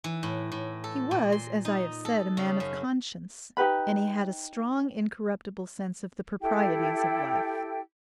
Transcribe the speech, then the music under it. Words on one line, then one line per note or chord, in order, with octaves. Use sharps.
He was, as I have said, a man of conscience, and he had a strong, incorruptible sense of the proprieties of life.
E3
A2
A2
A4
A#2
C6
D#4
A4
C#3
F#2
D#4 G4 B4 B5
E4 G4 A4 G5